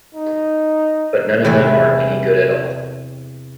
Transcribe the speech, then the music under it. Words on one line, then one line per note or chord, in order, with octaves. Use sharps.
But none of them are any good at all.
D#4
E2 C3 E3 A4 B4